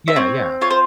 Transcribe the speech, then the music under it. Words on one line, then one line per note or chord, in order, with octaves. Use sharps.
Yeah, yeah.
E5
C4 C#5
F4 C#5
C5